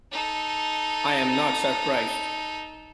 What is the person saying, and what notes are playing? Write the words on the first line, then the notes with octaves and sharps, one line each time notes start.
I am not surprised.
D#4 A4